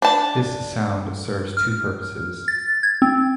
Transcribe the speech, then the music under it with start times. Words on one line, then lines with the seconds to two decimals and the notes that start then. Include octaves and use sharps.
This sound serves two purposes.
0.02 D4 B4 A5
1.57 F6
2.48 A6
2.83 G#6
3.02 C4